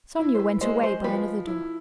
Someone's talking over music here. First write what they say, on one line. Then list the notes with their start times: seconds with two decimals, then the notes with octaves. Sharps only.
Sonya went away by another door.
0.19 E4
0.35 C5
0.39 B4
0.61 G#3 C5
0.83 C5
1.04 F3 B4
1.47 E4